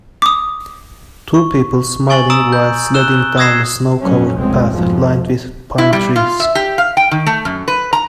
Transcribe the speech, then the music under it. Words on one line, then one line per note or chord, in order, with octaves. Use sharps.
Two people smiling while sledding down a snow covered path lined with pine trees.
D6 D#6
C#6
G#5 C#6 A6 F#7
A#5 D#6 E6 D7
G6
E6 F#6 E7 G7
D#6 E6 G#6 A#6 C7 E7
F2 A2 F#3 C#4
F1 C#2 G#2 G#3 C4
F2 G#2 B2 F3
E4
G3
F4
E5
G4
F5
G5
D#3
A3
F#2
B4
A#5